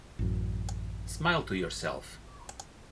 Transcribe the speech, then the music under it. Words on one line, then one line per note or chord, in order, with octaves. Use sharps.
Smile to yourself.
A1 F#2